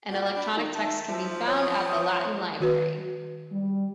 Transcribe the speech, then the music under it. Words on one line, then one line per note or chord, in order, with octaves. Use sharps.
An electronic text can be found at the Latin Library.
A#2 F#4 D5
D4 B5
D#3 D#4
E5 A5
F3
C#5 D#6
D#3 F#4 B4
G3